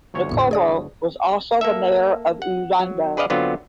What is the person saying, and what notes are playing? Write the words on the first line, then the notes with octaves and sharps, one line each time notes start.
Ngcobo was also the mayor of Ulundi.
G1 D2 C#5
A1 E2 A2
G#4 D5 D#6
A#3 A4 E5
F#5
F#3
G#4 B4 D5 D#5 F5 F#5
D3 F#3 B3 C4 F4